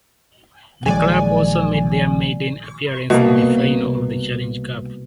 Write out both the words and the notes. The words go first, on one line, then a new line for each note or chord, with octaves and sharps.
The club also made their maiden appearance in the final of the Challenge Cup.
A#1 D#3 F#3 G#3 D5 G#5
C2 B2 A#3